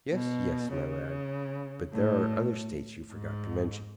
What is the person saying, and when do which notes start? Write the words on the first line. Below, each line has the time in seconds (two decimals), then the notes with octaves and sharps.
"Yes, yes, my lad; but there are other states you forgot to mention."
0.13 B2
0.73 C#3
1.93 A2
3.12 G#2